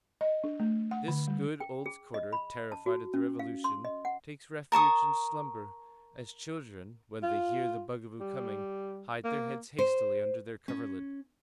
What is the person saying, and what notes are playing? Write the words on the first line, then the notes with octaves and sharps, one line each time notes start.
This good, old quarter, terrified at the Revolution, takes refuge in slumber, as children, when they hear the Bugaboo coming, hide their heads hastily under their coverlet.
D#5
D4
A3
F#5
D3
G3
G5
G#4
D#5
B5
A5
F#4
C#4
F5
C6
D#5
F#5
A#4 A5 C#6 D#6
F4
G3
A#3
C5
C#4